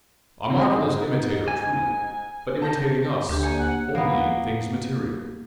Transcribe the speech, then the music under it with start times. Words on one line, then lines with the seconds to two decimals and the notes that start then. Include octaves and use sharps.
A marvellous imitator truly, but imitating us only in things material.
0.50 C4
0.75 G#2 D#4
1.48 G#5
2.62 A5 G6 A#6
3.29 D2 D4 G4
3.43 A#3 G#5
3.59 F#5
3.95 A#3 B3